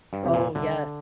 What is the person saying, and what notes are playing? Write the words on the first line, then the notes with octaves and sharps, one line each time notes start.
Oh, yes.
G2
F2 C3
A#2
C2 D3